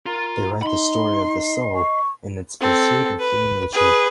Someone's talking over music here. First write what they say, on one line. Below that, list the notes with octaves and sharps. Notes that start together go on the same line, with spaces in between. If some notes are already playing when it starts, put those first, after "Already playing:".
They write the story of the soul and its pursuit of human nature.
F4 A#4 A#5
D#4 D#5 B5 C6
C#6
C4 A4
B4
G#4 B4